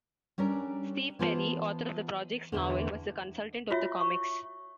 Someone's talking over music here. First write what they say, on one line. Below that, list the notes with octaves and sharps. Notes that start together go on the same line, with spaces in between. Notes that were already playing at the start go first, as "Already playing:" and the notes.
Steve Perry, author of the project's novel, was a consultant of the comics.
G3 C#4 D4 A#4
E3 B3 F4 C5 A5
E2 D3 E3
F4 F#4 C#5 E5
C#6